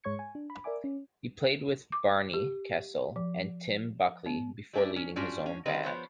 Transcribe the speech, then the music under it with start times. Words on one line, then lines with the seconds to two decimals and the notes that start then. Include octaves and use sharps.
He played with Barney Kessell and Tim Buckley before leading his own band.
0.04 G#2 G#3 C#5 C#6 G#6 C#7
0.19 G#5
0.35 D4
0.50 B5
0.64 A#4 D5 E5 G#5 D6
0.84 C#4
1.92 D6
2.34 G4
3.16 F3
4.26 B3
4.73 G3 A3 C#4 D4 E5 G5
4.96 C#4
5.16 G3 C#4 D4 F4 F#4
5.46 C#4
5.65 D#3 G3 C4 B4 D#5
5.83 F3 B3 C5 C#5